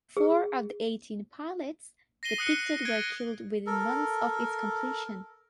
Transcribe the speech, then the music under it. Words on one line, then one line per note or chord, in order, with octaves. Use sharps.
Four of the eighteen pilots depicted were killed within months of its completion.
G#4
A#6 C7 D#7 G7
D#6 F#6 C#7 D#7
G#6 A#6 D7
A4 A#4